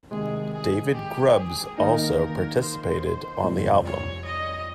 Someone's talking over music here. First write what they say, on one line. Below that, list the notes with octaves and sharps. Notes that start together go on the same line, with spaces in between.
David Grubbs also participated on the album.
C3 D#3 G#3 G#4
G#4
G4
G#4
D#3 A#3 D#4 A#4
C5
F2 C3 G3
C#5
D#5